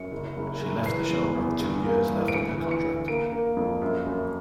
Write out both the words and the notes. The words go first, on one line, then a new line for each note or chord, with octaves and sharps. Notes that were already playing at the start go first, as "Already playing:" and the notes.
She left the show with two years left on her contract.
Already playing: F#2 C#7
F#1
F#1
F#1
E3 C7
E2
E2
G2
A#3
E3
D7
D2 C#7
E3
C#7
D2
A#3 D7
A#3
F2
F#2
F#2